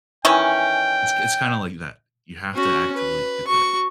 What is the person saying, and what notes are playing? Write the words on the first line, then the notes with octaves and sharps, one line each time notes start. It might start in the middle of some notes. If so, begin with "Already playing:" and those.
It's it's kinda like that; you have to actively get that.
D#3 E3 C#4 G5
C#4 F#4
B4
F#4 C#6